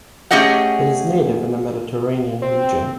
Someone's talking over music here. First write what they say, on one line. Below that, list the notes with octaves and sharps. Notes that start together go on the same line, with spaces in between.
It is native in the Mediterranean region.
A3 C#4 G4 G#4 D#5 F#5
C4